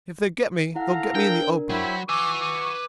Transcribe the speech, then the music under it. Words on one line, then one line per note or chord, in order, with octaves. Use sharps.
If they get me, they'll get me in the open.
E4 A4 F5 F#5 A#5
D4 A#4 G5
F#3 E4 C5 G5 B5
F#4 B4 G#5 C#6 D6 E6
D6